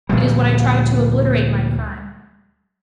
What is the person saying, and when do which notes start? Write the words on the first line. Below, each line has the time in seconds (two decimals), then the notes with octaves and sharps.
It is what I tried to obliterate my crime.
0.09 D2 A#2 F3 G3